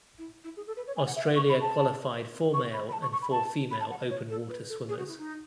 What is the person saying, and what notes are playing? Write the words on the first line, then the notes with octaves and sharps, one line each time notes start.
Australia qualified four male and four female open water swimmers.
E4
E4
G#4
A4
B4
C#5
G#5
F#5
E5
F#5
C#6
B5
A5
C#6
B5
B5
A5
C#6
C#6
B5
A5
B5
A5
F#5
D#5
C#5
A4
B4
A4
G#4
F#4
E4
D#4